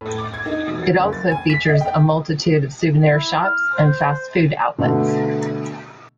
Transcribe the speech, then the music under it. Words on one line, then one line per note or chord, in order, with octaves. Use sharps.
It also features a multitude of souvenir shops and fast food outlets.
A2
D6
G#6
D#4
E1
F#3
F#1
A6
G#5
B6
D#5
G5
E4
F6
C5
B2 D3 A3